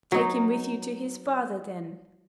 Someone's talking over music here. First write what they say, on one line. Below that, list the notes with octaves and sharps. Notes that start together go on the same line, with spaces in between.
"Take him with you to his father then."
F#3 D#4